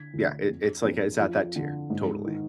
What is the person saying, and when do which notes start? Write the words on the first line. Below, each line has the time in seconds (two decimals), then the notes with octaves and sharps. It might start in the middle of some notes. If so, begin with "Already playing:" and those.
yeah, it it's like it's at that tier, totally,
Already playing: D3 G#6 B6
0.14 D2
0.49 F2
0.84 F2
1.20 F3
1.56 D3
1.90 G#2
2.26 D#3